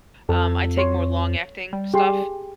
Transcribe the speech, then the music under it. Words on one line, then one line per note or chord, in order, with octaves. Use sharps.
um, I take more long-acting stuff,
F2 A4 A5
C#5 C6
G3
G4 G#4 C6